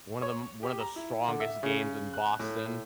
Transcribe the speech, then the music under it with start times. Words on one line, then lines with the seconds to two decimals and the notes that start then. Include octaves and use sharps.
one of the m one of the strongest games in Boston,
0.22 C#5
0.63 G4
0.80 A#5
0.96 E4
1.28 D3
1.40 E5
1.63 C#3
2.14 F#6
2.40 A2